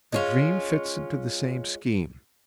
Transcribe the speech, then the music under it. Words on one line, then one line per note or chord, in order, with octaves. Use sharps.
The dream fits into the same scheme.
G#3 C#4 F4